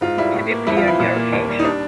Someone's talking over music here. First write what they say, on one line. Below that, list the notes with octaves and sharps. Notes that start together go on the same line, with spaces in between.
Have you cleared your cache?
G#2 F4
G3 E4
A2
A#3
F2 E4
F4
E3 E4
A#2
A#3
D#2
G3
D#4
D4